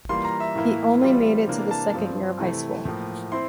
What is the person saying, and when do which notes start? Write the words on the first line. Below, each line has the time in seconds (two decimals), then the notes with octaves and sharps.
He only made it to the second year of high school.
0.09 E3 G3 A#3 F4 C6
0.25 A#5
0.40 E5
0.55 A2 E3 A#3 E4
1.01 E3 G3 C4 F4
1.47 C3 E3 A#3 D4
1.71 A5
1.94 G2 F3 C4 F4
2.39 C3 E3 A3 E4
2.85 A2 F3 A#3
3.32 C4 E4 C6